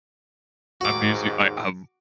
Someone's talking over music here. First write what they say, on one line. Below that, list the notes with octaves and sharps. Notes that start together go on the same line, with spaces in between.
I musi I I've
D#2 G#2 F#4 D6